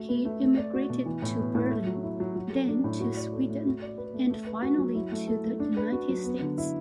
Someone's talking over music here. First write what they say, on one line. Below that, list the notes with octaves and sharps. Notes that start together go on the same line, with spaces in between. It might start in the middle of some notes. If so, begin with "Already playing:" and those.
He emigrated to Berlin, then to Sweden, and finally to the United States.
Already playing: A3 F#4
B4
A3
A3
D5
F#4
B2
E3
A2
B3
A2
A3
F#3
E4
F#3
F#3
A4
D4
A2
F#4
D5
A4
A3
F#4
D5
B4
A3
A3
B4
F#4
F#3
E4
A3
A4
A3
D4
B4
F#4
F#3
B3
D3
E4